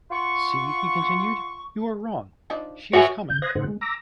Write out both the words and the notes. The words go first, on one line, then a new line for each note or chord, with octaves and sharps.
"See," he continued, "you are wrong: she is coming."
F4 F#5 C6 C#6
F3 D4 D#4
F#4 B4 C#5 E5 F#5 G#5
C#3 G6
C5 F5 D#6 F#6 G#6 A#6
A2 C#3 D#4 A4 C5 F#5
G#3
A#5 D6 E6 A#6